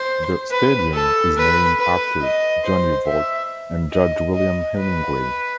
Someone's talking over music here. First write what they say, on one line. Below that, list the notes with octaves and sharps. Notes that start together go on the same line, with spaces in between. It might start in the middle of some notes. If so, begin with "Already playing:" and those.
The stadium is named after Johnny Vaught and Judge William Hemingway.
Already playing: C5
B4
A4
B4
B4
D#5
C5
E5
D#5
D#5
B4